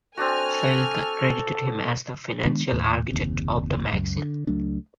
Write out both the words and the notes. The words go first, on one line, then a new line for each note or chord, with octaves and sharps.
Felker credited him as the "financial architect" of the magazine.
C4 D4 F#4 A4 G#5 F6
D#3 G#3 B3 D4
D#2 A2
F#1 D#2 C3
C#2 F#2
D3
C#2 F#3 A3 D4